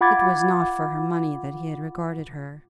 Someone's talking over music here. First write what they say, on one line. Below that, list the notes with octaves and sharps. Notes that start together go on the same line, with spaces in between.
It was not for her money that he had regarded her.
F4 F#5 B5 D6 G#6 A6